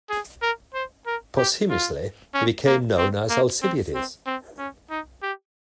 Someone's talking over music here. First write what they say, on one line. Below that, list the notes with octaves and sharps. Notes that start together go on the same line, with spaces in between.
Posthumously, he became known as "Alcibiades".
G#4
A#4
C5
A#4
G4
F4
C#4
A#3
C4
A#3
C4
C4
C4
C#4
D#4
G4